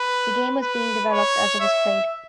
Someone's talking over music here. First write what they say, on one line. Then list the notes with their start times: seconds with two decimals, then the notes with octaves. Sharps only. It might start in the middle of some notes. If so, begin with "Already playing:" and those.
The game was being developed as it was played.
Already playing: B4
0.63 B4
1.12 C#5
1.61 E5